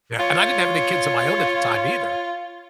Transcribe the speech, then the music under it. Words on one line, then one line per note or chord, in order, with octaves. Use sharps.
Yeah, and I didn't have any kids of my own at the time either,
F4 C#5